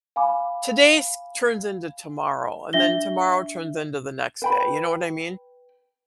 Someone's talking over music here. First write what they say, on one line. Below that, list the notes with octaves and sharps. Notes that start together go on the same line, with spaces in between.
today's turns into tomorrow, and then tomorrow turns into the next day, you know what I mean?
F5 G#5 B5 D6
D4 E5 A#6 G7
B4 G5 B5